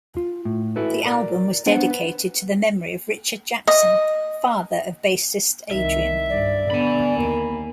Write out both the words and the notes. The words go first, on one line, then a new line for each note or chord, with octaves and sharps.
The album was dedicated to the memory of Richard Jackson, father of bassist Adrian.
F4
A2
E4 F#4 A4 B4
A#4 D5 A#5
B3 D4 C5 F#5
B4
D#5
C2 D#3 E5
G2 D5
D3 B3 G#5 B5
D#2 A#3